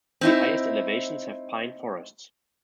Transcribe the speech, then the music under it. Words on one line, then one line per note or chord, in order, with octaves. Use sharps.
The highest elevations have pine forests.
C4 D#4 E4